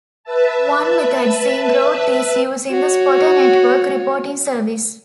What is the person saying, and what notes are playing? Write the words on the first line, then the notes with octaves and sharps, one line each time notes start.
One method seeing growth is using the Spotter Network reporting service.
B4 E5 A5
F#4 C#5